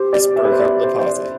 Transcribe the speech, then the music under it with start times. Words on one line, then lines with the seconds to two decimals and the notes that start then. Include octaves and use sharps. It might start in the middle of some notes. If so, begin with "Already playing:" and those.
This broke up the party.
Already playing: G4 C5
0.13 D5
0.36 E5
0.45 B4
0.52 C5
0.59 D5
0.83 C5
0.99 C5
1.06 D5